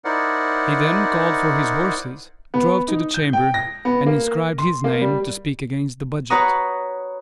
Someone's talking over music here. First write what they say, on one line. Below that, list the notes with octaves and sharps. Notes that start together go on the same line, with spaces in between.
He then called for his horses, drove to the Chamber, and inscribed his name to speak against the budget.
D#4 E4 A#4 C5 D5 F#5
B3
D#4
G6
G5
A#6
B3
A#3
C6
A#3
G3
F#4 B4 C#5 F#5 A#5 D#6